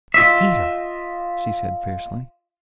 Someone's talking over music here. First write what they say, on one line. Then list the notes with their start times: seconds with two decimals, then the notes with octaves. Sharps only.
"I hate her," she said fiercely.
0.14 F4 D#5 E5